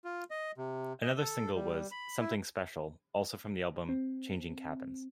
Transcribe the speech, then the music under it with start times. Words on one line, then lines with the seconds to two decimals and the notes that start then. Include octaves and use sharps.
Another single was "Something Special", also from the album "Changing Cabins".
0.04 F4
0.30 D#5
0.58 C3
1.02 D#5
1.17 A4
1.54 G3
1.91 B5
2.20 E4
3.89 C4